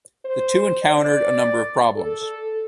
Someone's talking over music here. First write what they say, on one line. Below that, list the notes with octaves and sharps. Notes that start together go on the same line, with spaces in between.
The two encountered a number of problems.
C5
D5
A4